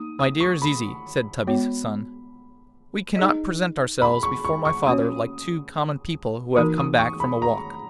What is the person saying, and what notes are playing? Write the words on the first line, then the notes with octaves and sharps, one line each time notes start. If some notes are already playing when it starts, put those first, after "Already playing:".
'My dear Zizi,' said Tubby's son, 'we cannot present ourselves before my father like two common people who have come back from a walk.
Already playing: A#3 D#4 D#6
D#6
C#6
B5
G#3 B3 F#4 C#5
D#4 G#4 D#5
B5
C#6
C#6
C#6
A#3 C#4 F#4 C#5 D#6
E3 A#3 D#4 F#4 A#4 D#6
D#6
C#6
B5
A#5